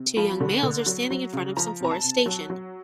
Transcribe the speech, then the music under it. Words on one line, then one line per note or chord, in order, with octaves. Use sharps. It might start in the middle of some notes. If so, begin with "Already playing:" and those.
Two young males are standing in front of some forestation.
Already playing: C3
F3 B5
D3
D3
F#3
F#3
C#3
F3 A#5
C3 A#5
A5
C3
F#3
F#3